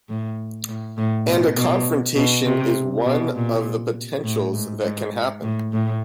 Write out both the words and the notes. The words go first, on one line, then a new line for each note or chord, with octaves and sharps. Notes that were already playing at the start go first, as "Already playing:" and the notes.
And a confrontation is one of the potentials that can happen.
A2
A2
A2
B2
B2
B2
C3
B2
A#2
A2
G#2
G#2
A2
A2